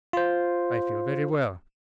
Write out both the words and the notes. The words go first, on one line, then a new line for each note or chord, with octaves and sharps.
"I feel very well."
F4 C5